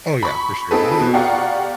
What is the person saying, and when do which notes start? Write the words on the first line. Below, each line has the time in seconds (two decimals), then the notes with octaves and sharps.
Oh, yeah, for sure. The
0.23 B5 C#6
0.71 C4 D#4 F4 G#4 A4 B4
1.00 B2
1.13 G4 D5 F5 F#5 A#5 C#6